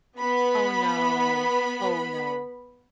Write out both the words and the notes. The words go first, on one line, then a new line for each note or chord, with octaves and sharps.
Oh, no. Oh, no.
B3 B5